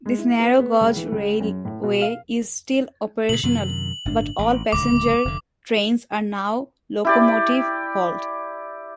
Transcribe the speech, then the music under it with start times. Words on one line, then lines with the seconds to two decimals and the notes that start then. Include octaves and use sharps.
This narrow gauge railway is still operational but all passenger trains are now locomotive-hauled.
0.06 G#3
0.19 E4
0.40 B3
0.59 B3
0.81 C#2
0.96 E3
1.12 C#2
1.40 F#2
1.65 A2
1.83 B2
2.01 F5
3.29 A#2 C#3 F#7
3.43 F#2 C3 D#3
4.05 G1 A2 D4
4.39 A1
4.72 D1 C#2 D3 D6
5.25 F1 D3
7.05 E4 G4 D5